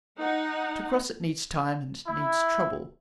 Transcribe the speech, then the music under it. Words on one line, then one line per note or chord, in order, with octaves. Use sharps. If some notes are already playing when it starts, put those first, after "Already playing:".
To cross it needs time and needs trouble.
D#4 F#5
E4